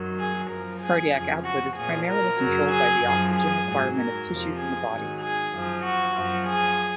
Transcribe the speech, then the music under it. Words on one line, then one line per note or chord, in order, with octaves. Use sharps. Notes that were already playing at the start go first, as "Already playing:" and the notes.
Cardiac output is primarily controlled by the oxygen requirement of tissues in the body.
Already playing: F#2 D#3 F#3
G#4
F#2 F3 A#4
G#4
F2 C#3 F3
F#4
A#2 F3 G#4
A#4
F#2 C#3 F#3
G#4
F#2 F3
G#4
G#2 F#3
A#4
F2 C3 F3
G#4
G#2 D#3 F#3
G#4
F#2 F3
F#4
F#2 F3
G#4